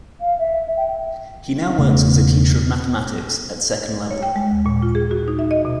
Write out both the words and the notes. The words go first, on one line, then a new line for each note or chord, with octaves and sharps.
He now works as a teacher of mathematics at second level.
F5
E5
G5
E1 C#3 A3 B3
C#5
G5
G#3
D#2
A#2
F4
G#4
F#4
D#4
E5
D#5
B2